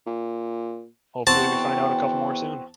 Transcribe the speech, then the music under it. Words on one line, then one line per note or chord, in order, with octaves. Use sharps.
hopefully, we find out a couple more soon.
A#2
E2 C4 F#4 A5